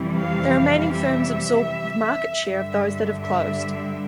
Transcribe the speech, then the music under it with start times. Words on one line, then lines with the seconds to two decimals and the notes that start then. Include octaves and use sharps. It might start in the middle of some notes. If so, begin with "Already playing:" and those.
The remaining firms absorb the market share of those that have closed.
Already playing: F2 C3 E3 G3
0.18 F5
0.93 E5
2.46 G2 D3 G3 E5
3.23 E5